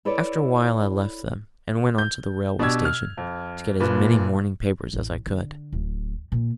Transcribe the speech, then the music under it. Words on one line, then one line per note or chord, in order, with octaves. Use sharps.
After a while I left them, and went on to the railway station to get as many morning papers as I could.
E4 A4 B4 C#5 D5
G6
B2 D4 G4 D5 E6 G#6
F6
F2
F#1 A#2 B4
A1
D3
D1
A#2